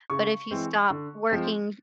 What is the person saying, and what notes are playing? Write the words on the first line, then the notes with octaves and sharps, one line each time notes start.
But if you stop working,
C#3 C#6
E3 G#3 C4
D3
F3 G#3 C4